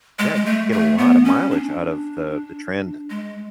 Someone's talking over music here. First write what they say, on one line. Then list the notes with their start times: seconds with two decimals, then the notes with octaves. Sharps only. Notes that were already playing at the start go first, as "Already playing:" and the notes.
Yeah, you could get a lotta mileage out of the the trend,
0.19 G#3
0.35 G#3
0.46 A3
0.72 A3
0.98 B3
1.25 C#4
1.51 D4
3.10 G#3